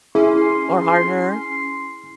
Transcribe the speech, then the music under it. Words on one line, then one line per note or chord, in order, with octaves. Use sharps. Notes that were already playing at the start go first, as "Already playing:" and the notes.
Or harder?
C#4 E4 G#4 C6